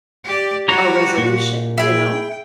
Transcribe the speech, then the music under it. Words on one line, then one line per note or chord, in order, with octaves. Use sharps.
a resolution, you know?
G4 D5
G3 F#4 G4 C#5 A#5
A#2
E4 G#4 G5